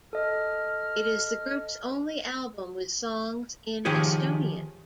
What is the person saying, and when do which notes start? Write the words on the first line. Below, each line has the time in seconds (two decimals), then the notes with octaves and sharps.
It is the group's only album with songs in Estonian.
0.13 A4 D#5 F6
3.85 D#3 F3 G4 G#4 C#5